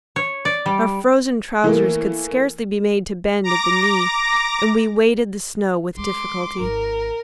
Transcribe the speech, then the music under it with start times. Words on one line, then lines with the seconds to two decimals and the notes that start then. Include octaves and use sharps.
Our frozen trousers could scarcely be made to bend at the knee, and we waded the snow with difficulty.
0.16 C#5
0.45 D5
0.66 G3
1.64 E3 A3 A#3
3.44 A#5 D6 A#6
5.97 G#3 C6 D6
6.59 G#1 A#4